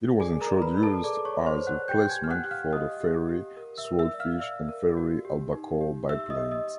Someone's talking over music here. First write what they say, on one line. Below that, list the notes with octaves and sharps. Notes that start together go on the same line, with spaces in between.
It was introduced as a replacement for the Fairey Swordfish and Fairey Albacore biplanes.
G#4 D5 G#5
A#4 A#5
D5
B4 B5
B4
A4 A5
G#4 D5 D6
C#5 C#6
D5
C5 C6
B4
F#5 F#6
G4 G5 G6
G#5 G#6
G4
F6
F#5 F#6
G4
F5 F6
G4 D#5 D#6
G4
G4
A#4
E5 E6
A#4
E5 E6
D5
F5 F6
D5 E5 E6
A#4
F#4
G4
D#4
G4
G4 E5 E6
D#5 D#6
G4
D#5 D#6